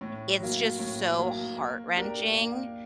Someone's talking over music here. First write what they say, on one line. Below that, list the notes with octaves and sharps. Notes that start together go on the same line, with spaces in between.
it's just so heart-wrenching,
A2
F#3 A#3
A2
F#3 A#3
A#3
D4 G4 A#4
A#3